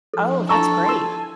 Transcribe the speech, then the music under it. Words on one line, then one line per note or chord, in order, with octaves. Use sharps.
Oh, that's great.
F3 D4 E4 A4
A4 G5 A5 A#5 C#6 E6
G#5 C6 E6